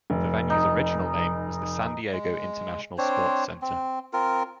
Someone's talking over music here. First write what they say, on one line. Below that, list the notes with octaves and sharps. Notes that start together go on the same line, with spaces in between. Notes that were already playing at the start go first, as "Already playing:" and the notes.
The venue's original name was the San Diego International Sports Center.
F1
D#4
G#3
C4 D4 C5 C#5
C4
C4 F4 A#4